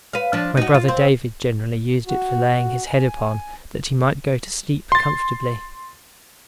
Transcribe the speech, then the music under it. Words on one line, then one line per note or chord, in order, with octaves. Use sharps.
My brother David generally used it for laying his head upon, that he might go to sleep comfortably.
B4 F5
F3 D4
D#4 F#4
F4
C4
F#4
G#5
C6 A6